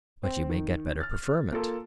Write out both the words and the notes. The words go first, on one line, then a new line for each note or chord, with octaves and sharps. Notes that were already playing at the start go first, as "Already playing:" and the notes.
"But you may get better preferment."
C4
D#3
F6 A6
A#3 F4 A4